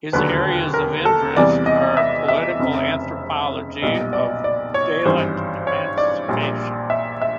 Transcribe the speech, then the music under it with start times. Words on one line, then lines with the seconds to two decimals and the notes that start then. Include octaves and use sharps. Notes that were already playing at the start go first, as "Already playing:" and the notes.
His areas of interest are political anthropology of Dalit emancipation.
0.12 E1 D#2 D3 F#3 B4
0.74 A#4
1.05 A4
1.36 E2 C3 E3 G3 D5
1.66 D#5
1.97 E5
2.28 E5
2.59 F1 F2 C#3
3.82 B1 A#2 G3 D#5
4.13 D5
4.44 D5
4.74 C#5
5.05 G#1 G2 E3 G3 C5
5.67 C#5
5.98 D5
6.28 A#1 A#2 G3
6.90 E5
7.21 E5